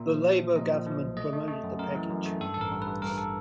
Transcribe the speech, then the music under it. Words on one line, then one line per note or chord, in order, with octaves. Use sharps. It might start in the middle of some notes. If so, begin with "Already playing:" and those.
The Labour Government promoted the package.
Already playing: A#2 A#3 E5
F3
F3
F3
A#2 D#5
F3
F3
B1
A3 D#5
A3
A3
F#2
F#2 A#4
E3
F#2
A3
G2 A4
A4
A1 A#4
G2
B4
G2
G2 A#4
A4